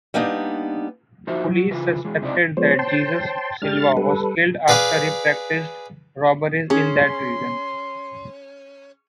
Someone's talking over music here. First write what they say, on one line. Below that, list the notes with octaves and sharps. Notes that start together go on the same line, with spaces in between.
Police suspected that Jesus Silva was killed after he practiced robberies in that region.
G3 A#3 B3 D4 D#4
F3 D#4 F#4 C5 E5
F#3
C#3 E3 F4 B4
E3 G#3
C#2 C3 D#4 E4 D5
F3 G#3 B3 C5 C#5
G5 A5 C6
G#3 D4 G4 F6 A6
G3 A4 B4
G#4 B4 D5 F5 G#5
C#4 G#4 C6